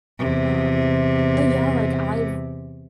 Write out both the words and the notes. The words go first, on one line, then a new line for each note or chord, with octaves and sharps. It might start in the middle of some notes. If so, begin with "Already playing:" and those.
um, but yeah, like I've
E2 C3